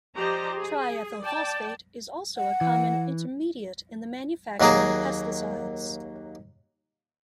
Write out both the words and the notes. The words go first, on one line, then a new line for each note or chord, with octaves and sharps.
Triethyl phosphate is also a common intermediate in the manufacture of pesticides.
F3 G4 C5 D5 D#5 A#5
G#4
D5 G5 A5
F#5
E3
D#2 F#3 A#3 G#4 A#4